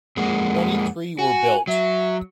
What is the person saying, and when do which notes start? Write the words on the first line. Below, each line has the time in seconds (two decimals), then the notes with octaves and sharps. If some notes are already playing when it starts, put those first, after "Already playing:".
Twenty-three were built.
0.17 F2 G#3 A#3 F#5
1.19 F#4 G#5
1.67 F#3 E5